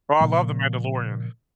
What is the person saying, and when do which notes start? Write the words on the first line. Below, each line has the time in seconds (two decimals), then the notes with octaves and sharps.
Bro, I love The Mandalorian.
0.20 A#2 C#3 F3